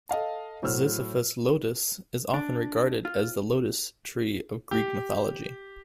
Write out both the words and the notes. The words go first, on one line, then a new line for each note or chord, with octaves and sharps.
"Ziziphus lotus" is often regarded as the lotus tree of Greek mythology.
A4 D#5 F5 A5
A2 F#3 C5 E6 F6
D4
F4
G4